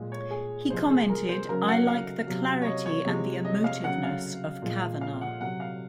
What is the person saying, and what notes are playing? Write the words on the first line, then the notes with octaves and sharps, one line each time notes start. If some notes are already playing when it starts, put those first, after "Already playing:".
He commented: I like the clarity and the emotiveness of Kavanagh.
Already playing: A#2 G#3
C#5
G#4
C3 F3 G#3 C5
G#4
A#4
C5
C#3 F#3 A#4
F#5
F5
C3 F#3
C#5
D#5
C#5
C3 F3 G#3
D#5
F5
C#3 F#3 F#5
F5
A#2 F3 G#3
F5
F#5
C3 F#3 F#5
F5